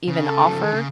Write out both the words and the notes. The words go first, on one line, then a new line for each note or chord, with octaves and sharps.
even offer
C#3
A4
F#3
F3
D#3
C#3